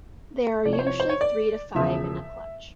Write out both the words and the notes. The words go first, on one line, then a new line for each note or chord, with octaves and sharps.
There are usually three to five in a clutch.
C2 C3 F3 D5
C#5
C5
C#5
C5
C#5
D5
E1 E2 C#3 F3 E5